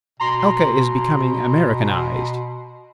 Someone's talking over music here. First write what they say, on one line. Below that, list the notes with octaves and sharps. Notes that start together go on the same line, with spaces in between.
Alca is becoming Americanised.
B2 A#5 C6